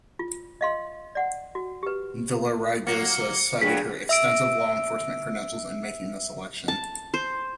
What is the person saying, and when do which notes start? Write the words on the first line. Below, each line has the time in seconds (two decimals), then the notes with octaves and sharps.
Villaraigosa cited her "extensive law enforcement credentials" in making the selection.
0.19 F4
0.61 D#5 F5 C6
1.15 D5 F#5
1.55 F#4
1.83 G4 B4
2.87 F#3 A#3 C#7
3.61 G2 F#3 G#4 B6
4.09 E5 E6 D7
6.68 A5
7.14 C5